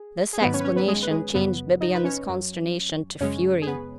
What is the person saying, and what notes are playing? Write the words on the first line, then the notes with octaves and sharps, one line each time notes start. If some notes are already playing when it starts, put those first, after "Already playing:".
This explanation changed Bibiaine's consternation to fury.
Already playing: G#4
G#4
G#2 D#3 F#3 B3 B4
C#4 C#5
B4
C#4 C#5
B3 B4
G#3 G#4
B4
G#3 G#4
F#2 C#3 F#3 B3 B4
D#4 D#5
B4
C#4 C#5
F#2 F#3
F#2 C#3 G#3 C#4 C#5
G#4
B3 B4